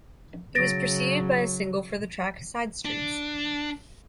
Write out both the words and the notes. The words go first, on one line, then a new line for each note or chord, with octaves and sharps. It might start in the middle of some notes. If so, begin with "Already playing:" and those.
It was preceded by a single for the track "Side Streets".
C#3 F#3 A6 A#6 D7
D4